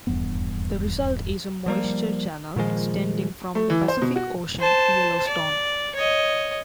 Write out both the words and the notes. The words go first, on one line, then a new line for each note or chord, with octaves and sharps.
The result is a moisture channel extending from the Pacific Ocean to Yellowstone.
D#1 E2 G2 B3
F3 G3 A#3
A#2 D#3 F3 G#3
A3
E3
C5
B2
F#4
C5 A5
D5
C#5 D#5